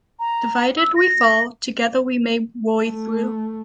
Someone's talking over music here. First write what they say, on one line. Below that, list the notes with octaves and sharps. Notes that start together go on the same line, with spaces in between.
Divided, we fall, together we may worry through.
A#5
E6
A#6
A3